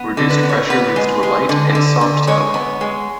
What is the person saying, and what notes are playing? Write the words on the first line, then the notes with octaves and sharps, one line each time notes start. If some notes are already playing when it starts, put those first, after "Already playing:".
Reduced pressure leads to a light and soft snowball.
Already playing: B3
D3
B4
B3
C#5
B3 B4
G#3
G#3
D3
D3
D3
G#3 C#5
B3
G#3